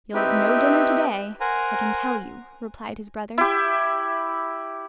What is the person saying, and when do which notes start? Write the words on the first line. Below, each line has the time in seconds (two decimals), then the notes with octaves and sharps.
"You'll get no dinner to-day, I can tell you," replied his brother.
0.14 C4 D#4 E4 G4 B4
1.41 A#4 C5 F#5 G#5 A#5
3.38 E4 G4